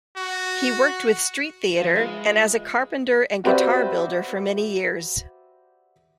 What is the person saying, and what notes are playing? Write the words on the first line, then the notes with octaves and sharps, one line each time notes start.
He worked with street theatre, and as a carpenter and guitar-builder for many years.
F#4
F3 F5
G#3 F4 B4 E5
F#4 G4 B4 C5 D5 E5